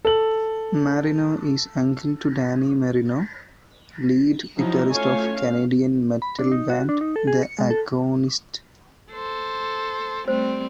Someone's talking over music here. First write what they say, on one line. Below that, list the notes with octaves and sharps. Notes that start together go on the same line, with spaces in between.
Marino is uncle to Danny Marino, lead guitarist of Canadian metal band The Agonist.
A4 F#7
F3 F#3 D#4 E4
A3 C#4 F4 C#5 F5 G#5
F5
B5
D4
D#4
F#4
D4
D#4
A4
G#4
C#7
G#3
A4
A4 C5
G3 A3 C4 C5